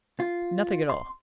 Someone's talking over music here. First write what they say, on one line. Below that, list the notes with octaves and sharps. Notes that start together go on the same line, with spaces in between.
"Nothing at all."
F4
C6